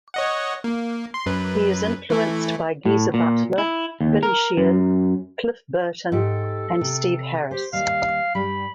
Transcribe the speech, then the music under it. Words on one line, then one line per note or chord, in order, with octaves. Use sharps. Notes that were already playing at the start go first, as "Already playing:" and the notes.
He is influenced by Geezer Butler, Billy Sheehan, Cliff Burton, and Steve Harris.
C#5 D#5 F#5
A#3
C6
F#2 B4
E3 A3 E4
A2
A#2
E4
D#2
A#4
F#2
G#2 G4 A4
C3
G4 C5
D#2 G3 F5
G2 G3 B5